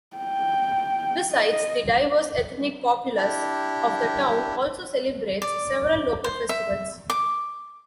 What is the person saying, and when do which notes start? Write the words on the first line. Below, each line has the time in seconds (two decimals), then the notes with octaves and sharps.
Besides, the diverse ethnic populace of the town also celebrates several local festivals.
0.17 G5
1.33 D#5
3.17 D4 E4 G4
5.42 D5
6.24 C5
6.49 E5
7.10 D6